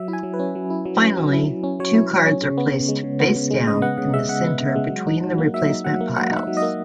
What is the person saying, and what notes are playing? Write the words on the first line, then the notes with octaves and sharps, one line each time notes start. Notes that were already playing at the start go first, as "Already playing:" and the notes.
Finally, two cards are placed face down in the center between the replacement piles.
Already playing: F#3 E5
E4
G#5
F#3
B4
C#4
F#3
E4
F#3
C#4
F#3
E4
F#3
C#4
F#3 C#5
E4
F#3
C#4
C#3
B3
C#3
G#3
C#3
B3
C#3
G#3
C#3 D#5
B3 F#5
C#3 F#5
G#3 E5
C#3 F#5
B3
C#3
G#3
F#3
D#4
F#3
A#3
F#3 E5
D#4
F#3 F#5
A#3
F#3 F#5
D#4
E5
F#3
D#5
A#3